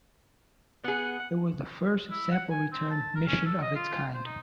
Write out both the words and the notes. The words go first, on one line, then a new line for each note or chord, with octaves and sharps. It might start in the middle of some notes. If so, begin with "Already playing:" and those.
It was the first sample return mission of its kind.
B3 G#4 F#5
E4
F#5
G#5
C4
A5
A#4
C#4
A4
D#5
F4
C5
D#4